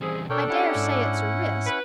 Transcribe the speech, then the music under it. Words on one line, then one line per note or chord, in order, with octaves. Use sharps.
I dare say it's a risk.
E2 G3 C4 G#4
B1 D4 A4 A#4 C#5 G5
C#4 E4 G4 F#5
G#2
B4